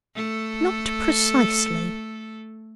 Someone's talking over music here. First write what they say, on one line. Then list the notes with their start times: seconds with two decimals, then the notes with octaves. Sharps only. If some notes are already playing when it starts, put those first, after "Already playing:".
Not precisely.
0.15 A3 A4